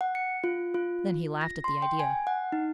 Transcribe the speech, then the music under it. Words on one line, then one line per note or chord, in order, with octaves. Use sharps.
Then he laughed at the idea.
F#5
C#7
F4
F4
A#6
C6
G5
G#5
F#5
D#4